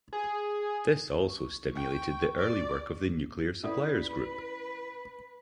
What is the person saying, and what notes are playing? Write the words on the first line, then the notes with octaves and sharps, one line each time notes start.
This also stimulated the early work of the Nuclear Suppliers Group.
G#4
C#6
G5
D5
C#4 E4 A4 B4 D5